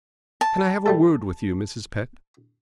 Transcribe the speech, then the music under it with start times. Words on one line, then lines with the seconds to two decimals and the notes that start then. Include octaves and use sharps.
"Can I have a word with you, Mrs. Pett?"
0.41 A5
0.86 G3 A3 A4